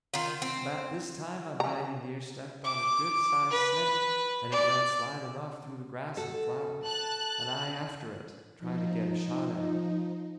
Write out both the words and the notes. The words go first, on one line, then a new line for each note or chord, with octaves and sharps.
About this time I mighty near stepped on a good-sized snake, and it went sliding off through the grass and flowers, and I after it, trying to get a shot at it.
D#3 F4
C4
A#5
D6
B4
D5
F#4 A4
A5 F#6
F3 D#4